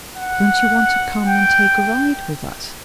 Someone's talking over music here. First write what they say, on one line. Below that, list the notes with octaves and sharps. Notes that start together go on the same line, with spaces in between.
"Don't you want to come and take a ride with us?"
F#5
G5